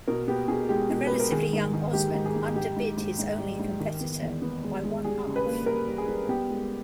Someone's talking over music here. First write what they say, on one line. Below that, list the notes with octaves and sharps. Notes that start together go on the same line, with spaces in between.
The relatively young Osman underbid his only competitor by one-half.
B2 A#4
B3 G4
B2 G#4
G#3 G4
B2
G#3 B4
A#4
D#3 G#4
G#2
D#3
G#2 G4
G#2
G#4
G#2
G#2 G4
G#2
G#2
G#2
G3
G#2
D#3
B3
E2
B3
G#3
G#3
G3 G#4
C#3
B4
A#3
G3 A#4
G3
G#4
G3
B3 G4
G#3